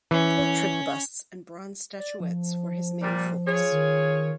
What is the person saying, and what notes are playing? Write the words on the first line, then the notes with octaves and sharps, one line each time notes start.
Portrait busts and bronze statuettes were his main focus.
E3 C#4 C#5
D5
F3
A#2 G3
F4 G#4 C#5
D#3